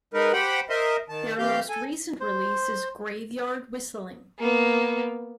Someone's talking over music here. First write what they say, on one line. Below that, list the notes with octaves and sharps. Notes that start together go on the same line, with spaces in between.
Their most recent release is "Graveyard Whistling".
G#3 D#4 A#4 B4
G4 C5 F#5 G5 B5
A#4 C5 D#5 E5 C6
D#3 A5
E3 C4 G4 F5 G6
A4 G#5
C5
A#3 B3